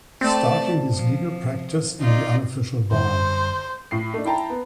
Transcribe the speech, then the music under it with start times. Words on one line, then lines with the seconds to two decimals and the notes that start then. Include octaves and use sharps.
Starting his legal practice in the Unofficial bar.
0.21 A3 C4 D5 A5
0.94 F3
2.00 D#4 F4 D5
2.92 F#2 D3 G3 C5
3.91 A2 C7
4.14 A3 D4
4.25 E4 G5 A5 A#5
4.50 B3